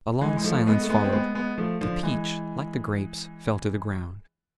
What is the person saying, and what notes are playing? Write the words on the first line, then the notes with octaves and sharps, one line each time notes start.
A long silence followed; the peach, like the grapes, fell to the ground.
E3 G#3
G#3
F3 A3
G#3 B3
A3
G#3 B3
C4
G#3 B3
G#3 B3
F3 A3
D3 F3
E3 G#3